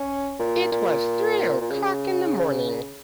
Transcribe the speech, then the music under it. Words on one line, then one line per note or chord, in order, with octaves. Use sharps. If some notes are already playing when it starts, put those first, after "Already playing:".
It was three o'clock in the morning.
Already playing: C#4
A#2
A#2
A#2
C#3